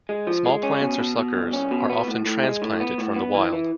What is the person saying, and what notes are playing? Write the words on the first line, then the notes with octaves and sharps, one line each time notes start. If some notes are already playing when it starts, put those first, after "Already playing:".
Small plants or suckers are often transplanted from the wild.
G#3
F3
G#3
C#4
B2
B2
B2
C2
C#4
B2
B3
A2
A2
G#3
A2
B3
A2
B3
E3
E3